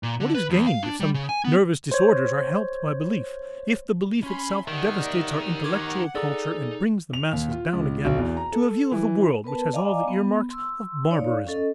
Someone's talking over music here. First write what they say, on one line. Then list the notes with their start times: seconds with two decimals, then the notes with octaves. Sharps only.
What is gained if some nervous disorders are helped by belief, if the belief itself devastates our intellectual culture and brings the masses down again to a view of the world which has all the earmarks of barbarism?
0.03 A#2
0.20 D3
0.35 B4
0.50 E2
0.67 F5
0.83 D4
1.00 G3
1.14 C#3
1.29 G#5
1.45 B3
1.92 C5 C#5
4.23 C#4 G#5 B5 C6
4.68 D#3 G4 A#4 D5 E5 F#5
5.64 F#5 D6 G#6
6.15 D#4 G#4 A4 D5 A#5
7.13 F7
7.32 D#2
7.51 F4
7.73 C#2
8.05 B1
8.18 E2
8.37 A#5
8.52 A4
8.92 E3
9.44 B3 A#4 B4 A5
9.73 D5 D#5 F5 G#5 A#5 D6
10.08 B3
10.50 C6 E6
11.10 D#4 C#5 D5 F5
11.47 C#4 A4 D#5